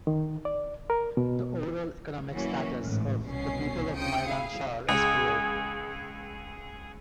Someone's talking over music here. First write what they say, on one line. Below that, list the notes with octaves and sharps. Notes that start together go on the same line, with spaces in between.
The overall economical status of the people of Maidan Shar is poor.
D#3
D5
A#4
B2
E3 F#3 A#3 C#4 F#4
A1 G#2
C2 B2 C#4 C7
D2 C#3 F3 G5 D#6 C#7
E4 G#4 F5
C#2 G#4